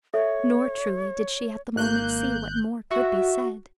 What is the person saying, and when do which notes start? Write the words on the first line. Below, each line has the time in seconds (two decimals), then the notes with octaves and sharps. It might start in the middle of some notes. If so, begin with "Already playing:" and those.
Nor truly did she at the moment see what more could be said.
0.14 A4 C#5 E5
1.76 G#1 A#3 F#6 G6
2.91 F#4 E5